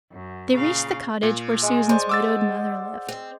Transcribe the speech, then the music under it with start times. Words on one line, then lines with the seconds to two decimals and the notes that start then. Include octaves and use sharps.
They reached the cottage where Susan's widowed mother lived.
0.11 F#2
0.54 A#2 C#3 F5
1.23 A#2
1.63 G#3 G#5
1.89 G#3 C5 D5
2.09 F#5 D6 E6 A6
3.08 C4